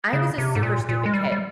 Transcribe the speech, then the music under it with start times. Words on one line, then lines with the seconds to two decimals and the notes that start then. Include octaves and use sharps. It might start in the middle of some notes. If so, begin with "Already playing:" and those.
I was a super stupid kid,
0.13 C#3
0.38 C3
0.55 G#2
0.63 A#2
0.89 A#2
1.06 G#3
1.13 G3
1.32 G3